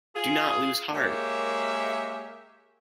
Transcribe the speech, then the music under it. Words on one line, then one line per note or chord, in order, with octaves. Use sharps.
Do not lose heart!
F4 G#4
G#3 A#3 G4 C#5 E5